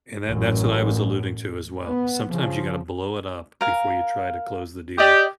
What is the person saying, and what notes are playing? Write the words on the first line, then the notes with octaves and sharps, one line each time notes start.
And that that's what I was alluding to as well. Sometimes you gotta blow it up before you try to close the deal
A1 F#2
B3
C#3 F3
A#4 F5 G#5
G4 D5 D#5 D#6